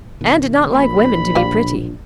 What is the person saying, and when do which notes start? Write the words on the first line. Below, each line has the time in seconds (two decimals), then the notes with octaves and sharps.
Anne did not like women to be pretty.
0.21 B2 D#3
0.74 A#1 A#3 B5
1.35 B1 A#2 D4 G4 D5 F5